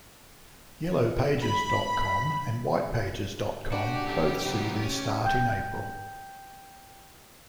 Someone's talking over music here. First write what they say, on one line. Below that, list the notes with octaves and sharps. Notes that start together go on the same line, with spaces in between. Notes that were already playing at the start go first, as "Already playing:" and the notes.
Yellowpages dot com and Whitepages dot com both see their start in April.
B5
D4 F#4 G4
C#3 F#3 A3
C3 F#3 B4
C#4
G5 G6